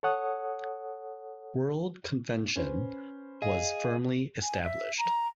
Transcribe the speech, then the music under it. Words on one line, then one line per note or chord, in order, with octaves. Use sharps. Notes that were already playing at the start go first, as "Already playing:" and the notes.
'World Convention' was firmly established.
A4 C#5 F#5 D#6
C#4 B4 C5
G#4 D#5 F5
G#5
E5
A#5